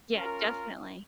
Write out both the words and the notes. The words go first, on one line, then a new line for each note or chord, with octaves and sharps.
Yeah, definitely.
C#4 F4 A#4